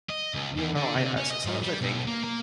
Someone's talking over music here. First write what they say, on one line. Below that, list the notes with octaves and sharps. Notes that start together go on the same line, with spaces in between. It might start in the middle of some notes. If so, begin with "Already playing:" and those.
You know, I I s sometimes I think
D#5
C#2
E2
D3
C3
C#4
D#5
G#2
G3
B1
A#3
A#3